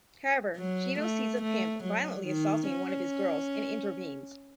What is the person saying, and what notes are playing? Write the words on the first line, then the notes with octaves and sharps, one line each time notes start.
However, Gino sees a pimp violently assaulting one of his girls and intervenes.
F#3
A3
A3
F#3
D#3
C#4